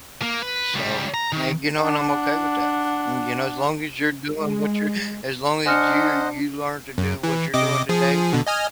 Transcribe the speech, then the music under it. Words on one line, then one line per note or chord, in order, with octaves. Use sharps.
So, may you know, and I'm okay with that. You know, as long as you're doing what you're as long as you're you learn to do what you're doing today,
A#3
B4
C#2 G3
A#5
D#3
D4 F#5
G#3
D4 C5 D#5 F#5 G#5 F6 C#7
F#2
E3
C3 D#5 D6
F3 G#4
B2 D3
D#5 G#5 F6